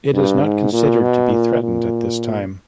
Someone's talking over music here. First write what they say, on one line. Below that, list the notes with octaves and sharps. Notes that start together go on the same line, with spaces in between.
It is not considered to be threatened at this time.
G2
G#2
A#2
B2
A#2
A#2